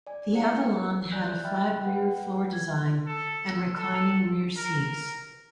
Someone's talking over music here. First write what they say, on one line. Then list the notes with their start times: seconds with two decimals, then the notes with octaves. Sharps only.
The Avalon had a flat rear floor design and reclining rear seats.
0.07 D5 G#5
0.32 C4 E4 A#4 C5 F#5 C#7
1.11 D5 G#5 F#6 G6
1.44 E5 G5 B5 F6 F#6 A6
1.82 B4 F#5 G5
2.53 G#6
3.07 A4
3.76 A4
4.58 A#4